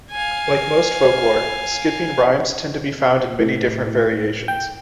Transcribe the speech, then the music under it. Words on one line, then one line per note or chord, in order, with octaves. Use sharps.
Like most folklore, skipping rhymes tend to be found in many different variations.
F5 G#5
A2
G5